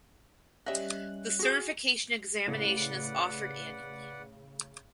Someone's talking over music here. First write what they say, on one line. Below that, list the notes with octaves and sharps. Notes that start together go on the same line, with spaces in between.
The certification examination is offered annually.
G3 C#4 D#5 E5 F#6
F#4 G#4
A2 C#3 B4 D5 F#5